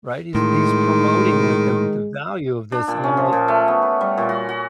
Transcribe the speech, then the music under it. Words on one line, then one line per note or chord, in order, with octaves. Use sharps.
right? He's he's promoting like the the value of this." And I'm like
A2 D#3 G#3 C6
D4
A#2
C#4
F3
A#2
A3
B3
B4
G3
A#2
F#4
F#4